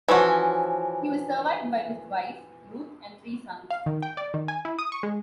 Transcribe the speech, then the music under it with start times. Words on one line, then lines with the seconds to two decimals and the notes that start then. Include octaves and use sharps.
He was survived by his wife, Ruth, and three sons.
0.08 E3 F3 C#4 F#4
3.70 F5
3.86 D#3
4.02 G5
4.17 D5
4.34 D#3
4.48 G#5
4.65 E4
4.79 D#6
4.92 C#6
5.03 G#3